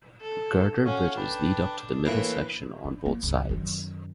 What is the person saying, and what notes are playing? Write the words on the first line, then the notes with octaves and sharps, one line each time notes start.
Girder bridges lead up to the middle section on both sides.
A4
C#4 F#4 C#5 F5
D4 B4 G5 A5
A2 E3 A#3 B4
D4
A#3
C#2 G2
F#2 D#3